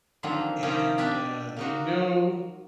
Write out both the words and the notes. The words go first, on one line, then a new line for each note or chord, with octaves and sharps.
and, uh, they know
D3 D#3 F3 F#3 A#3 C4
D#3 F3 A#3 C#4 D#4
D4 G4 D5 E5 G5 A5
A#3 D#4 F#4